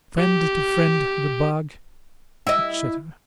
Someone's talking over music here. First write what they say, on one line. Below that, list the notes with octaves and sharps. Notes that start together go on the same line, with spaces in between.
Friend to friend the bug, etc.
G4
E4 D#5